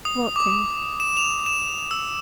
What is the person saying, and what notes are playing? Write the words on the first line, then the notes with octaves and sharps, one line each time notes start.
"What thing?"
D#6
D6
E7
F7
E7
E6